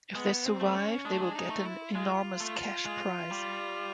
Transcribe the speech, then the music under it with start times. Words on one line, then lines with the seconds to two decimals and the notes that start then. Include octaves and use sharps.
If they survive they will get an enormous cash prize.
0.15 G#3 B3
0.45 C4
0.60 A3
0.75 C#4
1.05 G#3 D4
1.13 A3
1.21 G#3
1.35 G#3 D#4
1.50 A3
1.65 E4
1.95 G#3 F4
2.41 A3
2.86 G#3
3.31 G3